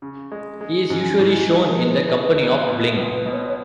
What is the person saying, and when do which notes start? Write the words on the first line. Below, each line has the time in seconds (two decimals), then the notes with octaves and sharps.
He is usually shown in the company of Bling.
0.02 C#3
0.32 G#3
0.61 G#3
0.90 G#2 C#4
1.19 G#2 E4
1.49 G#3 E4
1.69 A#4
1.78 G#3 B4
2.09 G#3
2.23 B4
2.38 D#4
2.66 B2 B4
2.96 C#2
3.11 B4
3.26 B2
3.33 C#5
3.48 C#5